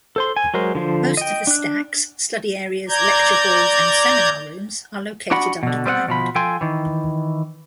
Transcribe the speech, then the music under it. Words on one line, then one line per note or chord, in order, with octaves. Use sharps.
Most of the stacks, study areas, lecture halls and seminar rooms are located underground.
A4 C5 C6
G#5
F#3 G#3 A#4 C5
D3 F3 C5
D#5 G5
D4 F#6
D5 A#5 G6 G#6
D4 F#4 F#5 B5
B2 D3
G3 C4 D#5 F#5
B2 F3 B5
F3 A4 G5 G#5 C6
D#3 E3